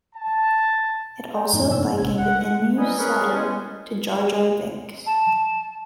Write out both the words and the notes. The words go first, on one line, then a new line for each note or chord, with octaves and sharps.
It also likened Inoue Sato to Jar Jar Binks.
A5
A4 D5 D#5 G5 A#5
F#2 A2 F3 A3 B3 D#4
G2 C3 A#3 D4 E6
A1 C3 C#4 D4 G#6
D3 F#5
E3 F#3 G3 D#5 G#5
C#4 G#4 A#4 B4
E3 G3 G#3 B3 C#4
A5